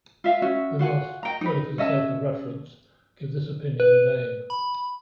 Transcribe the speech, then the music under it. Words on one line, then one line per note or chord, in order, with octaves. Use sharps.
We must, purely for the sake of reference, give this opinion a name.
F4 E5 F5
C#4 F#4 E5
F4 F#4 F#5 G#5
D#5 G5 A#5
D#4 B4
C#4 D#5 E5 A5
B4
B5